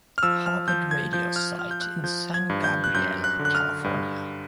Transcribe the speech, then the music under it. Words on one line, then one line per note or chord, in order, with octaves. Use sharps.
Harvard radio site in San Gabriel, California.
F6
F3 E6
F6
F3 G6
G#6
F3 G6
F6
F3 F6
G6
F#6
F3 G6
G#6
G2
G6
F#6
F#2 G6
F#6
D3
F#6
F6
G2